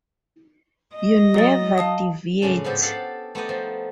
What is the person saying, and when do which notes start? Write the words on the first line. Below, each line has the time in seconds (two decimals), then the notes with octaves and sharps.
You never deviate.
0.96 D#5
1.34 F#3 D#6 A6
1.78 F5 A5 D#6
2.42 A2 C#3 G#3 C#4 D4
2.64 G#2 F3 B3 G4 A4
2.82 G4 A4 F5 F#5 A5
3.35 A3 B3 D#4 G4 D5 D#5
3.49 F3